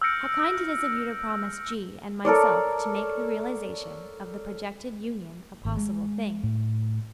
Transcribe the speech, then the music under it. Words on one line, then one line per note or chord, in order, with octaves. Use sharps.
How kind it is of you to promise G. and myself to make the realization of the projected union a possible thing!
E6 F6 G6 A#6 C#7 D7
A4 A#4 C#5 D5
G#1
G#3
A2